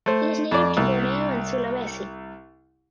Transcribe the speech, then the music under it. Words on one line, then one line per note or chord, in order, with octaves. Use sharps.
It is native to Borneo and Sulawesi.
A3 C5
F2 D5
C2